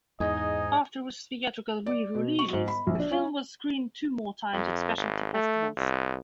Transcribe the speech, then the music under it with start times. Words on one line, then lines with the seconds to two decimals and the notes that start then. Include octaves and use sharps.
After its theatrical re-releases, the film was screened two more times at specialty festivals.
0.20 E2 G#2 D#4 D#5 G#5
1.86 D5
2.15 B2
2.39 C#6
2.53 G#2
2.68 B5
2.87 A#1
3.00 D4
3.11 C#4
4.53 F2
4.97 G#1
5.34 A3
5.77 C2